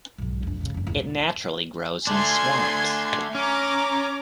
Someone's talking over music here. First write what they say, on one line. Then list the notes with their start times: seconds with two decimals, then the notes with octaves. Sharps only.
It naturally grows in swamps.
0.18 B1 G#2
0.43 F1 D4
0.61 A2 C#3
0.74 F#1 D3
0.87 E1 C2
2.07 A3 D4 G#5 C6 G#6
3.35 C#4 A#5 D6